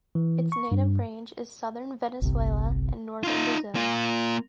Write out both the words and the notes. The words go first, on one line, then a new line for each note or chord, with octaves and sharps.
Its native range is southern Venezuela and northern Brazil.
E3
C#6
G2
G1 C2 C3
D#4 F4
A#3 F4